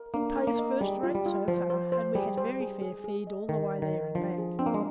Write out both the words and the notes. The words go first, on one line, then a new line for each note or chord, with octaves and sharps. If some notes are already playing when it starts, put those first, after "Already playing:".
It pays first-rate so far, and we had very fair feed all the way there and back.'
Already playing: A#4
A#3 D4
A#4
A#3
D#5
G3 G#4
F4
G3
F4
F3 C5
C5
C5
G3 G#4
C5
G#4
G#4
G#4
D#5
D#3 A#4
A#4
D#3
A#4
F3 D4
G#4
C4 D4
A#3
G#3